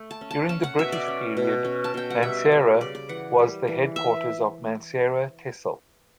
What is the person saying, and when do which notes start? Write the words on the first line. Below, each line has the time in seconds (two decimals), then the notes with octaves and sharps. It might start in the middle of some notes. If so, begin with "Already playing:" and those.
During the British period, Mansehra was the headquarters of Mansehra "Tehsil".
Already playing: A3
0.11 A5
0.21 C#4
0.31 A5
0.49 C#4 A5
0.64 F#5
0.78 B2 E5
0.92 D5
1.08 C#4
1.37 B2
1.65 C#4
1.84 A5
1.94 B2 G5
2.10 F#5
2.23 G3 E5
2.52 G3
2.80 C#3 D5
2.95 D5
3.09 E3 F#5
3.39 G3
3.68 E3
3.96 E5